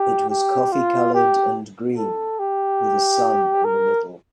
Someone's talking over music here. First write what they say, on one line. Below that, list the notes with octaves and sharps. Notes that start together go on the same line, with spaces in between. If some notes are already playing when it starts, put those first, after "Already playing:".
It was coffee-coloured and green, with a sun in the middle.
Already playing: G4
G4
F4
G4
A4
G4
A#4